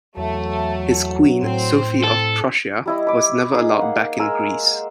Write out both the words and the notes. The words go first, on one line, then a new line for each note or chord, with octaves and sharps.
His queen, Sophie of Prussia, was never allowed back in Greece.
E2 F#3 A3
A2 C4 C5
A4
G3 E4 D#5
B5 D6
D#4 G#4
A#3 F#5
G#3 A#4 G#5 E6